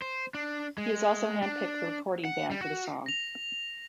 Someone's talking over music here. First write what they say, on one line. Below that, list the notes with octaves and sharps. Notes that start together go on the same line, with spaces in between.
He also hand-picked the recording band for the song.
C5
D4
G#3
D4
F#5
G3
F#4
A#6 F7